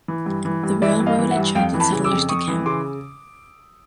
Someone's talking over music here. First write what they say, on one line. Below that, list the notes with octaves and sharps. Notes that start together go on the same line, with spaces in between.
The railroad attracted settlers to Kemp.
E3
G2
E3
G2
E3 D5 E5
G2
D#5 F5
E3
E5 F#5
G2
F2 F5 G5
E3
A5 B5
C#3
D6 E6
F2
F2 C#6 D#6
E3
C#3 C6 D6